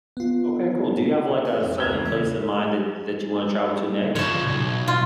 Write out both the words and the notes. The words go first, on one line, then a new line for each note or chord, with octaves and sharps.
Okay, cool. Do you have, like, a certain place in mind that that you wanna travel to next?
B3 F4
E3
A#1 F2
G4 E5 A#5 G#6
E2 C#3
E4
C#3 F3 C#5 A5
B1
F4